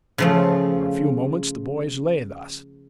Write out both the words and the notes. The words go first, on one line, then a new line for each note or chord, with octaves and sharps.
For a few moments the boys lay thus.
C#3 F3 A3